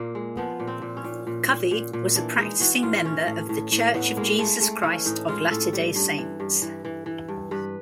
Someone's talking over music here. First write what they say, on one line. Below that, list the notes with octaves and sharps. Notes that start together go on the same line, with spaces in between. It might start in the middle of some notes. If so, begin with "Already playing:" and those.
Covey was a practicing member of The Church of Jesus Christ of Latter-day Saints.
Already playing: A#2 A#3
G#3
F3 B3
A#2
C4
A#2
C#4
A#2
A#2
A#2
A#2
A#2
E3 D4
G#3 D#4
E3 F#4
A2 F4
E3 C#4
A2
A2
A2
A2 B3
G#3 A#3
G#3 A3
G#3 A3
E3 C#4
A2 D#4
G#3 F4
A2 A4
G3
G2
E3
G2
E3
E3
E3
G2
G2 B4